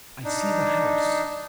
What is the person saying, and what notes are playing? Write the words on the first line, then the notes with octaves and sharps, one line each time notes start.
I see the house.
D4 D#4